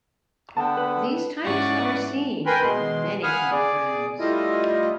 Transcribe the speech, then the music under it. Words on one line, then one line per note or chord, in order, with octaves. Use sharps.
These types are seen at many campgrounds.
D3 B3 G5 A5
B4
G#2 E3 C#4 D5 F#5 C#6
A#4 B4 G5 G#5 B5 C6
B2 G#3 C6
F5 F#5 G#5 B5 D#6 F6
G#4 D5
G3 A3 E4 F4 D#5